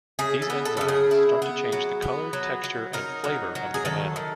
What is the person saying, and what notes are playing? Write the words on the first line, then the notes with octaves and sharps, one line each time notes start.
These enzymes start to change the color, texture and flavor of the banana.
C#3 G#4
A4
B3
A4
C#3 A4
G#4
E4
B3
F#3
B3
F#3
F#3
D#4 A#4
F#3
F#3
G#4
D#3 A4
D#3